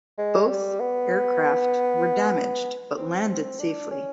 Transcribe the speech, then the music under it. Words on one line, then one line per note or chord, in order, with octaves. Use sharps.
Both aircraft were damaged, but landed safely.
G#3
G3
B3
C4
C4
D4
C#4